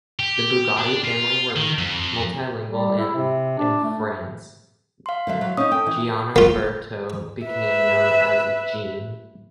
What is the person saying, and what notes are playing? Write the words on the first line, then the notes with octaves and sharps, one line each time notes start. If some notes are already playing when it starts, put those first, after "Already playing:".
The Bugatti family were multilingual and in France, Gianoberto became known as Jean.
G4
D4
F4
D#3
F2
G3
E4
C3
D4
A3
F5 C6
D3 F#3 E5
F#3
C#4 D#4 D#6
A4 G5
E3
A#3 F4
B4 E5